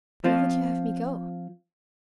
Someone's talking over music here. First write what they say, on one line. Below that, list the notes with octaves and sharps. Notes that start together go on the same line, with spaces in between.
"Where would you have me go?"
F3 C4 F4